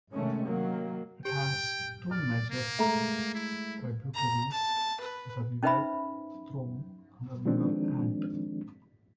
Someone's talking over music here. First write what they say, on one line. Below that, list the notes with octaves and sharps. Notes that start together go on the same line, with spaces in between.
It has two major tributaries, the River Thurne and the River Ant.
C3 D#3 G#3 A3 C#4
D#3 F#3 A#3
G4 G5
D5 F6
A#3
G#3 A3 A4 E5 A#5
E4
A#5
A5
B4
C#4 D#4 B4 C5 E5 B5
D#3 F3 G#3 C4 D4